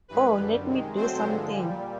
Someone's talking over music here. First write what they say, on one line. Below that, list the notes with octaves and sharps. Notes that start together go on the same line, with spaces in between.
Oh, let me do something!
G2 E3 G#3 B4
F#2 D3 G3
C3 D#3 G#3
B2 F#3 A3 C4 C5
G2 D3 F3 G#3
A#2 G3